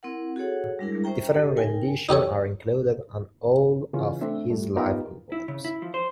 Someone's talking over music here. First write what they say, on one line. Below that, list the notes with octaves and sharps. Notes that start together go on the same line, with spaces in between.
Different renditions are included on all of his live albums.
C4 E4 A#4 F#5
F#4 G#4 A4 C#5 F#5
G3 G#3 D4 E4 G#4 A#4
C#4 C5 E5 G5 A#5
G4 A4 D#5
D#4 A#4 G5 G#5
D#4 G4 A4 C#5
C#3 E3 C#4 F4
A3 C4 D4 E5
G3 A3
B3 D#4 F4 G4 A#4 B4
E4
C#3
E4
F3
C5